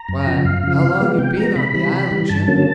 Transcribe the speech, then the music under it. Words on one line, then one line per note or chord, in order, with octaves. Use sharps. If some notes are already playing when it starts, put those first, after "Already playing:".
"Why, how long you been on the island, Jim?"
Already playing: A#5
F#2
C#3 F3
F#2 F5
C#3 F3
C3
F3 G#3 B3
C3 G5
F3 G#3 B3 A#5
C3 B5
E3 G3
C3 B5
E3 G3
G2 A5
D3 F#3 A#3 C#4